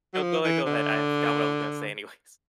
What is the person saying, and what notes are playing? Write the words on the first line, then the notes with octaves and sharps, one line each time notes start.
No, go ahead, go ahead. I forgot what I was gonna say anyways.
F#3
F3
E3
D3